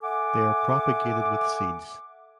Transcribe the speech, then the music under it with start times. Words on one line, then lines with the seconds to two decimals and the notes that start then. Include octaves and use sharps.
They are propagated with seeds.
0.02 A4 E5 F#5 G#5 D6